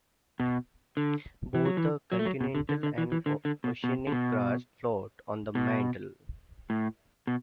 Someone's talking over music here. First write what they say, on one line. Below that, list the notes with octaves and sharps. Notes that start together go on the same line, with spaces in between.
Both the continental and oceanic crust "float" on the mantle.
B2
D3
E3
F#3
E3
F#3
A3
F#3
B2
D3
D3
D3
E3
E3
D3
D3
B2
B2
D3
B2
B2
A2
B2